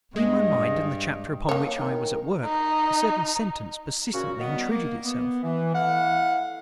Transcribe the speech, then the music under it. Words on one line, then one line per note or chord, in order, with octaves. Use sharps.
Between my mind and the chapter upon which I was at work a certain sentence persistently intruded itself.
G2 G#3 D#5
A#3 C#5
D#3 A#4 G#5
D#4
A#2 C#3 C#4 F#4
D#3 G3 B3
A#3
B3
E3
A3 E4 F5 F#5